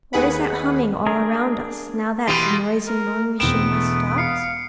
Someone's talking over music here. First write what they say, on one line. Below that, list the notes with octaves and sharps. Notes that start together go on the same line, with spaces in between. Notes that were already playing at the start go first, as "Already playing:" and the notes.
What is that humming all round us, now that the noisy mowing-machine has stopped?
D#2 D#3 G#4 B4 F#5 B5
D4 G#4 A#4
B2 E3 G4 C6
A#4
E1 B3 C4 D7 E7
A3
F5 C7 C#7